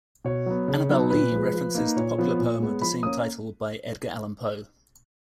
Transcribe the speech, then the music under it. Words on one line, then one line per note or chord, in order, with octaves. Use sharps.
"Annabel Lee" references the popular poem of the same title by Edgar Allan Poe.
B2 C#5
F#3 B3
C#3
F#3 B3 D#4
A#2 B4
F3 G#3
F3
A#3 D#4
A#2 C#5
F3 B3
A#2
G#3 B3
F3 B5
A#3 C#4 D#6